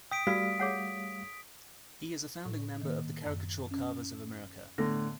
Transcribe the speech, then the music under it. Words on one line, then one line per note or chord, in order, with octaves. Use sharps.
He is a founding member of the Caricature Carvers of America.
G5 D#6 B6 D7
G3 A3 F#4 B4 D5 F5 B6
G#4 C#5 F#5
A2
D#3 A#3
F#2
C#4
A2 D3 B3 A#6